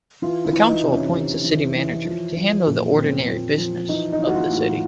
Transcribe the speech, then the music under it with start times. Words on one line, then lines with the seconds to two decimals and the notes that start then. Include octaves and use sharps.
The council appoints a city manager to handle the ordinary business of the city.
0.22 E3 F4
0.45 E4
0.52 E3
0.68 D#4
0.83 C3
0.91 C#4
1.14 C3
1.44 E3
1.75 E3
2.05 F3
2.37 F3
2.67 A#2
2.97 A#2 C4
3.28 F3
3.58 F3
3.89 E3 D#4
4.12 D#4
4.19 E3
4.27 F#4
4.35 F4
4.50 A2
4.58 F#4